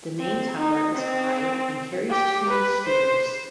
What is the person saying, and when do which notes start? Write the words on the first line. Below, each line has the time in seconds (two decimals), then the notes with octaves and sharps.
The main tower is high and carries two spheres.
0.19 C4
0.58 D#4
0.95 C4
2.10 G4
2.48 B4
2.87 C5